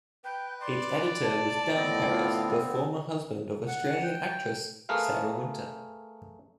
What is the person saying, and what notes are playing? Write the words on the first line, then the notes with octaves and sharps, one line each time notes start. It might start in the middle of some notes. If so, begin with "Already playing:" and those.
Its editor was Dan Peres, the former husband of Australian actress Sarah Wynter.
B4 G5
D5 C6
A5
A2 D3 B3 C4 D#5
F4
F#5
F#5
G5
A3 G#4 A#4 B4 F5